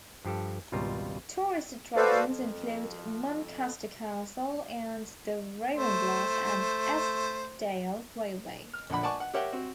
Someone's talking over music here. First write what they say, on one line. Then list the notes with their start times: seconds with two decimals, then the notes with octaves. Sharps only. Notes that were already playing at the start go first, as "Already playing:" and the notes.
Tourist attractions include Muncaster Castle and the Ravenglass and Eskdale Railway.
0.25 G2 F3 G4 A4
0.72 G#1 C#2 B2 G3 F4 A#5
1.96 F#4 A4 B4 C5 D5 F5
2.25 F2
5.75 A3 C5
8.73 F6
8.90 A#1 D3 F#5 B5
9.03 D5 F#5 G#5 A5 C#6 D6
9.20 F#5
9.34 G4 A#4 C#5 E5 F#5 G5
9.53 C4 F#4